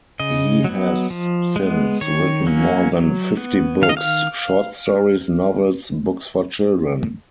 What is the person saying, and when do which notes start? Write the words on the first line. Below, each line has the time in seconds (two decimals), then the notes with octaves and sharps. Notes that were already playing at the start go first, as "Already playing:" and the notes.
He has since written more than fifty books, short stories, novels, books for children.
0.20 C#3 D#5
0.64 F#3 B3
1.10 F3
1.56 G#3 B3
2.01 D#3 C#5
2.46 F#3 A#3 C#4
2.92 F#3
3.37 B3
3.82 D#3 F5
3.89 D#5
3.97 F5